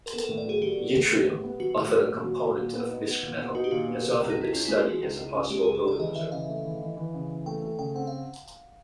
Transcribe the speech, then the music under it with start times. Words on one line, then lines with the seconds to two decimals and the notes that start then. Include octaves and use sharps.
Yttrium, often a component of mischmetal, has also been studied as a "possible nodulizer".
0.06 A#4
0.13 B3 A4
0.20 A#4
0.25 A4
0.29 A2
0.38 D5
0.45 F#3 G#4
0.62 F#3 G4
0.77 B3
0.94 A2
1.10 A2
1.27 B3
1.44 B3
1.60 F#3 F#4
1.76 A2
1.92 F#3
2.09 A#2
2.24 F#3
2.41 F#3
2.57 A#2
2.74 B3
2.90 D#4
3.06 B3
3.23 A#2
3.38 B3
3.55 D#4 F#4
3.64 G4
3.71 A#2 F#4
3.88 B3
4.04 B2
4.20 C#2
4.30 D#4
4.37 C#2 E4
4.53 C#4 F4
4.65 G#3 E4
4.77 F4
4.85 G#3 F#4
5.02 C#2 F4
5.18 C#2
5.35 C#4
5.50 G#3 G4
5.63 G#4
5.66 C#2
5.75 A4
5.83 C#2
5.88 D5
5.99 E3 D#5
6.16 E3 E5
6.32 C#3 F5
6.49 A3
6.64 E3
6.82 E3
6.97 E3
7.14 C#3
7.29 E3
7.46 A3 G5
7.62 A3
7.78 C#3 G5
7.94 C4 F#5
8.07 F5